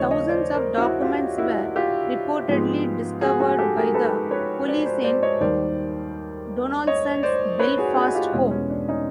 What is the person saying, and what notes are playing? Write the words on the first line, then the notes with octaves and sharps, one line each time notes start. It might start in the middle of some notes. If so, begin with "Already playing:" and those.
Thousands of documents were reportedly discovered by the police in Donaldson's Belfast home.
Already playing: D#2 C#3 F3 A3 C5 C#5 D#5
C#5 D#5
C5 D5
A#4 C5
E4 F#4
F4 G4
E4 F#4
F4 G4
G#2 F3 G#3 B3
F#4 G#4
F#4 G#4
G4 A4
G#4 A#4
A4 B4
B4 C#5
C5 D5
C5 D5
C5 D5
C#5 D#5
D#2 D#3 G3 A#3 C5 D5
C#5 D#5
C5 D5
B4 C#5
F#4 G#4
F#4 G#4
F4 G4
E2 B2 G#3 B3 C#4
C#4
D4
C#4 D#4